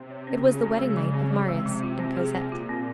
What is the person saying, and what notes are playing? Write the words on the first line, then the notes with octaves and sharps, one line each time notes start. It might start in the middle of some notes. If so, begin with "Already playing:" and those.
It was the wedding night of Marius and Cosette.
Already playing: C3
C#5
C#3 C#4
F#4
C#4
G#3
F3
C4
C3 F3
G#3
F3
F4
C4
G#4
A#2 C4
F4
C4